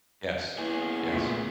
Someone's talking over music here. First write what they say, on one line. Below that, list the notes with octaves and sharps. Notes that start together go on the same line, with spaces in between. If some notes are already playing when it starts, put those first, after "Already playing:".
Yes, yes.
A#3 B3 C#4 E4 G#4 B4 G#5
D2 A#2 B6